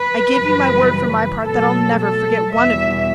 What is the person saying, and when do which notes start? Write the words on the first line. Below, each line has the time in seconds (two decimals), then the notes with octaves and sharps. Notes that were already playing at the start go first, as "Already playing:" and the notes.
I give you my word for my part that I'll never forget one of you.
Already playing: B4
0.35 F#2 C#3 E3 G3
1.44 B2 F#3 A3 A4
1.99 A4
2.53 E2 B2 G3 E5